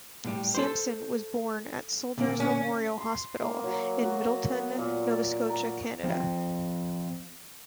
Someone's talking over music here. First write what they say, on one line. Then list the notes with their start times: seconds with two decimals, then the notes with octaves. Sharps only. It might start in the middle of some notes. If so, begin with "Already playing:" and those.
Sampson was born at Soldiers Memorial Hospital in Middleton, Nova Scotia, Canada.
0.25 A2 G3
0.55 A4 C5
2.18 A#2 D3 A#3
2.40 C#4
2.98 C6
3.42 A#3
3.64 F#3
4.02 F#4
4.52 B3
4.78 A#2
5.09 D5
5.49 A#5
6.03 F3 C4